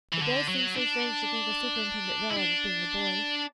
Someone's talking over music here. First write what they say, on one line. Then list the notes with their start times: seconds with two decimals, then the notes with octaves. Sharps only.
It does seem so strange to think of Superintendent Bell ever being a boy.
0.12 E3
0.22 D3
0.48 F#3
0.75 D4
2.30 E4
2.36 D4